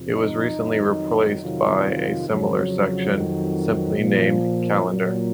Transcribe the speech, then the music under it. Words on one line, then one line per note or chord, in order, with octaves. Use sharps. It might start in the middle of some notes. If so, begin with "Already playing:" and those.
It was recently replaced by a similar section simply named "Calendar".
Already playing: F2 C3 F3
D#4
F2 D#3 F#3
F2 C3 D#3 F#3 F4
F2 C#3 F3 F#3
F2 D#3 F#3
A#2 F3
A#2 F#3